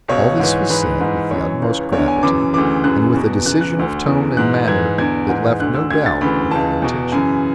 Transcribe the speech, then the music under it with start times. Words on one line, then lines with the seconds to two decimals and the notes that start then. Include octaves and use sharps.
All this was said with the utmost gravity, and with a decision of tone and manner that left no doubt of the intention.
0.08 C#2 B2 C#5
0.39 G#2 E3
0.70 G#2 E3 B4
1.00 G#2 E3
1.31 F#2 E3 C#5
1.62 C#2 C#3 E3
1.92 E2 D3 C#5
2.08 G#5
2.23 F#2 C#3 E3 D6
2.54 D2 C#3 E3 D6
2.84 F#2 C#3 E3 F#6
3.14 E2 B2
3.45 E2 C#3 E3 F#6
3.61 F#6
3.77 D2 D3
4.06 E2 C#3 E3
4.37 G#2 E3 F#6
4.68 G#2 E3 G#6
4.98 E2 D3 G#6
5.29 G#2 E3
5.60 D2 D3 F#6
5.75 E6
5.90 D2 D3 G#6
6.06 A6
6.21 D2 C#3 E3 B5
6.51 C#2 C#3 E3 A5
6.82 E2 B2
7.12 F#2 C#3 E3 G#5